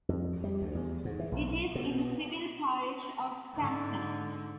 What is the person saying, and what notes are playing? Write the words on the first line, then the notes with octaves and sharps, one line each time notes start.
It is in the civil parish of Scampton.
F2
G3
D2
E2
G#2
E3
B1
B2
G#2 D3